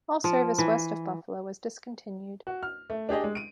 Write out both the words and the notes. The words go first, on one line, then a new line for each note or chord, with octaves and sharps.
All service west of Buffalo was discontinued.
F3
E3
F#4
F6
A3
D4 G4 G#4 D#5
G#3
D7 D#7